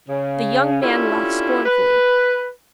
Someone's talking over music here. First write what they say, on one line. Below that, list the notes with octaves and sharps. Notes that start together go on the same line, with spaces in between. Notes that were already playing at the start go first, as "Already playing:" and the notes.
The young man laughed scornfully.
C#3
C#4 D4 E4 F4 G4 A4
B4